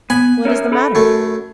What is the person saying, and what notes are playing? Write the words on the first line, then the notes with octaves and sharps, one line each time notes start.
'What is the matter?'
B3 G#5 B5
C#4 A#4 E5
A4 B5
F#2 A3